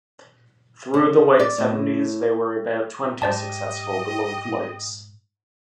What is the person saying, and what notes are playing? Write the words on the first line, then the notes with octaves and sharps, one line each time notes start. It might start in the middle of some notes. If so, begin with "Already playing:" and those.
Through the late seventies, there were about twenty successful balloon flights.
C#3
D5
A2
G#2 G4 C5 D5 D#5 A5